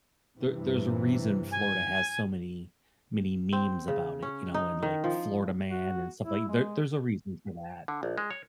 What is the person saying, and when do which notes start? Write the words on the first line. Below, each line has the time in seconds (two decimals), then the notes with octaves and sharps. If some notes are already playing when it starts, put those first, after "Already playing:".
There there's a reason Florida has so many, many memes about it, you know, and like Florida man and stuff like there there's a reason for that,
0.38 G2 C3 E3
1.51 G#5
3.53 C4
3.88 C#3
4.23 C#4
4.54 D#4
4.83 D#3
5.04 F3
5.71 F#4
6.22 E4
6.48 G#3
7.88 D3
8.03 A#1
8.18 G#3
8.31 C#5